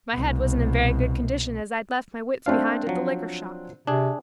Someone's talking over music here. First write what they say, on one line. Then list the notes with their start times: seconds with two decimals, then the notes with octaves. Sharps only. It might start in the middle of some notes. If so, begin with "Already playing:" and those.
My head wasn't in very good condition as I'd left my wits behind at the liquor shop.
0.14 C2 B2
2.46 A3 C4 D4 C5 F5
2.87 F3 F#3
3.87 C3 D4 G#4